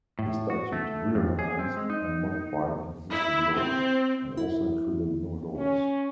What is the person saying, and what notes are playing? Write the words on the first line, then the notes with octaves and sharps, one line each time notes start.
The statute re-organized and modified existing law, and also included new laws.
A2
F#4
A3
F2
G#4
C4
G#3
D#4
E4
C4
E4
C#4